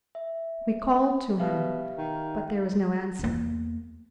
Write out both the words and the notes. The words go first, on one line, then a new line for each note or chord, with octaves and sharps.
We called to him but there was no answer.
E5
B2 G4 E5 F5
D#3
E2 A#3